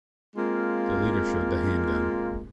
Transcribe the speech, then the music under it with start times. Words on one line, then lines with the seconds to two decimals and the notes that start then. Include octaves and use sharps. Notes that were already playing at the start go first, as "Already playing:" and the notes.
The leader showed the handgun.
0.36 G#3 A#3 C4 F4